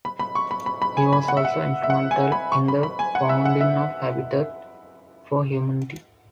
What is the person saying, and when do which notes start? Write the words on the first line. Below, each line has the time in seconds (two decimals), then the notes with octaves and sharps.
He was also instrumental in the founding of Habitat for Humanity.
0.05 B5
0.19 B5
0.35 C#6
0.51 B5
0.66 B5
0.82 B5
0.97 G#5
1.13 B5
1.28 F#5
1.37 E5
1.45 F#5
1.83 E5
1.90 F#5
2.11 G#5
2.32 B5
2.52 C#6
2.68 B5
2.83 B5
2.99 G#5
3.15 F#5
3.29 E5
3.45 F#5
3.61 E5